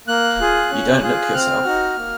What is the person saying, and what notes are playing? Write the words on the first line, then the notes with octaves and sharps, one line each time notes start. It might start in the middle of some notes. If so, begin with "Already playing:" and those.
You don't look yourself.
A#3 F#6
F4 G#4
C#4
F4 G#4
C4 F6
D#4 F#4
A#3